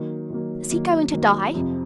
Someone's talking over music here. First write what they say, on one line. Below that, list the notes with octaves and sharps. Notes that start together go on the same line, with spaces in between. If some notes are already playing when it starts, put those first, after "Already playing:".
"Is he going to die?"
Already playing: D#3 F#3 A#3
D#3 F#3 A#3
D#3 F#3 A#3
D#3 F#3 A#3
F2 C3 F3